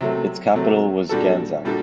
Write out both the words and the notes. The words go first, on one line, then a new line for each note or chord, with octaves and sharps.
Its capital was Ganzak.
C3 F#3 A3
C3 F#3 A3
A#2 G3 D4 F#4 A4
A#2 G3 D4 F#4 A4